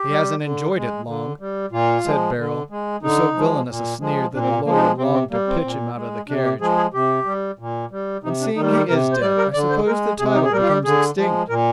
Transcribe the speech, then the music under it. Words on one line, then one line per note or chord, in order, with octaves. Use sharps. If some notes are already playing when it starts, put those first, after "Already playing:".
"He hasn't enjoyed it long," said Beryl, with so villainous a sneer that the lawyer longed to pitch him out of the carriage, "and seeing he is dead I suppose the title becomes extinct."
Already playing: G4
G3
D3
G#3
D3
G3
A#2 F4
F3 G#3
D3
G#3
D3 D#4
F3 G#3
A#2
F3 G#3
A#2 D4
C4
A#3
F3 G#3 A#3
D#4
D4
C3 C4
C4
G3 A#3
C4
A#2
G#3
C3 D4
G4
F3 G#3 G#4
G#4
C3 G4
G3
A#2
G3
C3 D#4
D4
D#3 G3 D#4
G4
C3 A#4
C5
G3 D5
A#4
D3 D5
C5
G#3 A#4
C3 G#4
D#4
G#4
G3 A#4
F4
G4
D3 G#4
F3 G#3
A#2 A#4